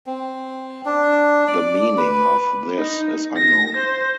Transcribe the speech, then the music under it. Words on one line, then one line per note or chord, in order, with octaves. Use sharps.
The meaning of this is unknown.
C4
D4
D5
B4
D#4
A#6
C5